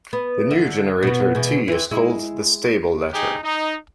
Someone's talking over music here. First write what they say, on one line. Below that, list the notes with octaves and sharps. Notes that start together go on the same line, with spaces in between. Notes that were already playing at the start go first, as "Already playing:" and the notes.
The new generator "t" is called the "stable letter".
B3
D3 E5
B2 B3
B2 E3 G#3
E3 C4
G#3 E4
D#4 G4 G#4
D#4